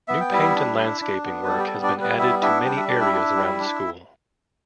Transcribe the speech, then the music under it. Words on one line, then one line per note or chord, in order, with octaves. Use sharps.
New paint and landscaping work has been added to many areas around the school.
B3 E5
G5
G3 E4 E5
D4
D4
D4
B3
B4
G3 A4
G4
A4
B3
D4 D5
G3
B3 B4
B3 E4 E5
D4 E4 E5
G3 G5
E5
D4 D5
E4 E5
D4
G3
D4